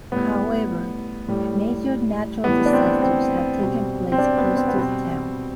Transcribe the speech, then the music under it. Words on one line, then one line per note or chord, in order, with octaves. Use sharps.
However, major natural disasters have taken place close to the town.
A2 G3 B3
A2 G3
A2 E3 G3 B3
D4
C4
C4
B2 G3
C4
D4
B3
C4
B3
B2 G3 C4